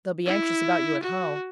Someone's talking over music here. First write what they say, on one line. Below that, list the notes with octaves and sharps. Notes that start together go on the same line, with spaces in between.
They'll be anxious about you at home.
E4
F#4